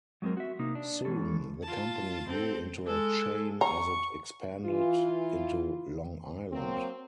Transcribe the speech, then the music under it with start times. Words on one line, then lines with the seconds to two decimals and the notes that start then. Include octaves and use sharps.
Soon, the company grew into a chain as it expanded into Long Island.
0.22 F#3 G#3 A#3 C4 A#4
0.37 F#4 E5
0.59 C3 A#3 D#4
0.75 D4
1.05 E3 G#3 C#4 A4
1.63 F4 A5
2.28 C4 A4
2.86 G#3 A4
3.61 A#5 C#6
4.66 E3 F4
6.52 F#3 A#3 C4